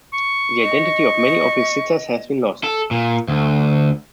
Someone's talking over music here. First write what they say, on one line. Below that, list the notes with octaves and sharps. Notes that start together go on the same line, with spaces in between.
The identity of many of his sitters has been lost.
C#6
D#5
A4
A#2
D2